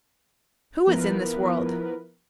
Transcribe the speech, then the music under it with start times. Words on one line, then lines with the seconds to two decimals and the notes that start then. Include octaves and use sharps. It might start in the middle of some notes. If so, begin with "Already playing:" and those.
"Who is in this world?"
0.87 F3 B3 E4 A#4 B4